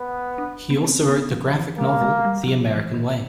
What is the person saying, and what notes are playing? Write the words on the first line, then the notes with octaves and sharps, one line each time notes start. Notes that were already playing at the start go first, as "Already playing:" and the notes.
He also wrote the graphic novel "The American Way".
Already playing: B3
D4
B3
C4
C#4
B3
F3
E3
G#3 A#3
G#3
G3
F#3
F3
E3
D#3